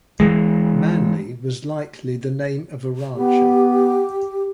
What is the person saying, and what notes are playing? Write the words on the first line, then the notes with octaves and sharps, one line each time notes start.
Manley was likely the name of a rancher.
E3 G#3
B3 G4